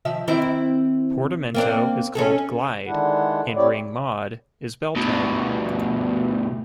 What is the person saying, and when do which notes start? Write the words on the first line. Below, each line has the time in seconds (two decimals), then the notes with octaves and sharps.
Portamento is called "Glide" and Ring Mod is "Bell Tone".
0.05 D#3 F3 E5
0.28 D#3 C4 E4
1.54 A#3 C4 D4
2.15 C#4 G#4 A4
2.86 D3 D#3 G#3 D4 E4 F#5
3.56 C4 E4 G4 C#5 D5
4.96 D2 B2